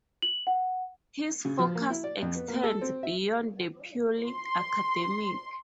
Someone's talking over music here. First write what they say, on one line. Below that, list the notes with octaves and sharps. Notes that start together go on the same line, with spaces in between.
His focus extends beyond the purely academic.
F#7
F#5
C#3
F3
A#3
E4
D5
F2
B3
A#3
A4
C4
E5
C6